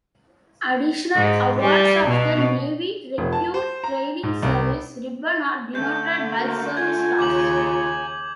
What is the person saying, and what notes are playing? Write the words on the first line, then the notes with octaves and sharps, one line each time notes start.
Additional awards of the Navy Recruit Training Service Ribbon are denoted by service stars.
G#2
G3
B2
F1
A5
C5
A#5
G#2
C2
D3 A3 G6
A#3 F#4 A#4
F4 G#5 G#6
D#2 C#3 A#5 D6 G#6 F#7